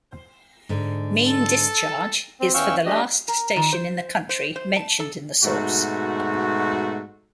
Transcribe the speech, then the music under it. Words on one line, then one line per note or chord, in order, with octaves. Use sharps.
Mean discharge is for the last station in the country mentioned in the source.
G#2 D3
A4
C4
E2 C#4 F5 G5 C#6 E6
A3 D4 G4 D#5
A#4
D#3
C5
C5
C5
A5
A4
G#2 B2 A3 F#4